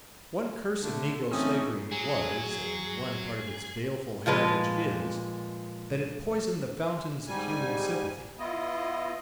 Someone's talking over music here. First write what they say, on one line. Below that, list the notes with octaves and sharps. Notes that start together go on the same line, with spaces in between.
One curse of negro slavery was, and one part of its baleful heritage is, that it poisoned the fountains of human sympathy.
D3 A3 D4
E3 A3 C4 C#4 D#4 D#6
F#3 G#4
A#2 F3 G#3 B4
G#2 G3 G#5
B3 E4 F4 D#5